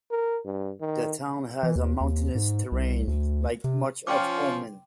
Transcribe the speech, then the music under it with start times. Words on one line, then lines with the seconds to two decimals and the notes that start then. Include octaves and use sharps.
The town has a mountainous terrain, like much of Oman.
0.11 A#4
0.45 G2
0.80 D#3
1.63 E3
1.76 D#2
2.00 D#2
2.35 G#2
2.72 C2
3.07 D2
3.64 C3
4.07 F3 C#4 F4 G5 C6 D6